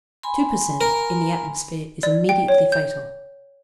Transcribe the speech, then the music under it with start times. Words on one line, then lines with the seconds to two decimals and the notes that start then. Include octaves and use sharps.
Two per cent. in the atmosphere is immediately fatal.
0.23 G#5 B5 C6
0.81 A#4
2.03 D5
2.29 G5
2.48 C#5
2.72 G6